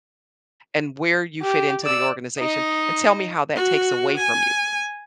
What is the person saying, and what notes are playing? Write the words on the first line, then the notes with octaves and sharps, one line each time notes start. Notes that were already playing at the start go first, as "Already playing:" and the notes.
and where you fit into the organization, and tell me how that takes away from you."
G4
D5 E6
D#4 D#5
F#4
G#5